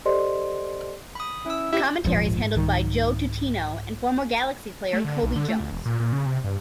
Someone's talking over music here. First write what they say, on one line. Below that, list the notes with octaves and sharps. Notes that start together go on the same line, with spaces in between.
Commentary is handled by Joe Tutino and former Galaxy player Cobi Jones.
G4 A4 C5 D5 D#5 C6
B5 D#6
C#4 E4 E6
E4 G4
D1 A#1 G#2 F3
C2 D#3
A3
D3
B1
D3
A3
D2
E1
A#2
A#2
C#3
C3
G2